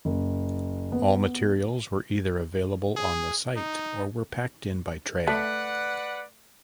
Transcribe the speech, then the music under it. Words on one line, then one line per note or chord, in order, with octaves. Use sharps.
All materials were either available on the site or were packed in by trail.
F#1
B3
G#4
D#4
A3 B4 D5 F#5